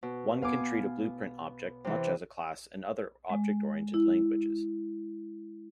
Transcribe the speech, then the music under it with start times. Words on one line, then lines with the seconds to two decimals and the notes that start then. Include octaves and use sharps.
One can treat a blueprint object much as a class in other object-oriented languages.
0.03 B2
0.42 B3 F5 G#5 D6
1.84 C3 E3
3.30 G#3
3.94 E4